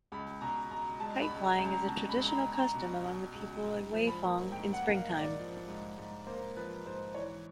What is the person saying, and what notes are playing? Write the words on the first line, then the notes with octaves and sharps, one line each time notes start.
Kite flying is a traditional custom among the people in Weifang in spring time.
C#2 B5
B2 A#5
C#2 A#5
G#3 A5
B5
C#2
A#5
C#2
A#5
B2 A5
B5
C#2
A#5
B5
B2
A#5
B2
B2
C#2
G#2
F3
B5
A#3
G#2 G5
F#5
A#3
F5
G#2
D5
F3
G#2
G#2
A#3 C5
F3 B4
G#2 C5
E3 C#5